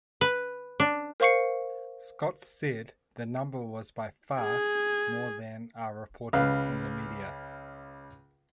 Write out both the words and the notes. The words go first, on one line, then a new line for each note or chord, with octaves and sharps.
Scott said the number was by far, more than are reported in the media.
B4
D4
A#4 C5 F5 C#6 C7 C#7
G#4 G#6
C#2 B4 F5